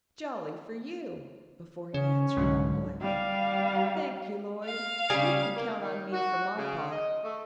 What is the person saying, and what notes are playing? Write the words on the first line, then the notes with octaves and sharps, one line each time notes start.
Jolly for you!" before he answered more politely, "Thank you, Lloyd, you can count on me for my part.
C#3 C#4
C2 G#2 D3 F#3
G3 F5
F5
C#3 G3 G#4
A#3
D#3
F#4
C#3
D#5
A3